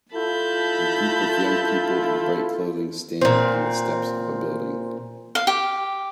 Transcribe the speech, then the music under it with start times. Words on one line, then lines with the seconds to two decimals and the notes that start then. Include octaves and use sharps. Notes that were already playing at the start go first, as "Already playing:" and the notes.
A group of young people in bright clothing stand on the steps of a building.
0.14 E4 F4 A4 A5 B5 G6
3.21 A#2 C4
5.35 F5
5.47 G4